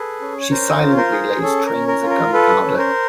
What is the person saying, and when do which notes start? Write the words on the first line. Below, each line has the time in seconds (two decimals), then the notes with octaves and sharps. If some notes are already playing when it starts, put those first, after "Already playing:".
She silently lays trains of gunpowder.
Already playing: G#4 A4 B4
0.21 C#4
0.41 C#5
0.51 C#4 A#4 C5
0.81 F4
0.97 A#4 C5
1.12 G#4
1.42 C#4 A4
1.66 A#4
1.72 C#4
1.88 A#4
2.03 F4
2.10 A#4
2.33 A4 B4
2.64 C#4
2.78 A#4 C5